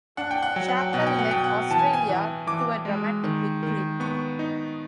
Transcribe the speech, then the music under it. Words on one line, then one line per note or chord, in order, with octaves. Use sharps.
Chappell led Australia to a dramatic victory.
D4 F#5
G5
F#5
F#3 G5
F#5
G5
B2 F#5
G5
F#5
B2 G5
F#5
E3 A5
G#5
G5
G#5
E3
E3 D6
G#3
D#3
D#3
B3 C#6
D#4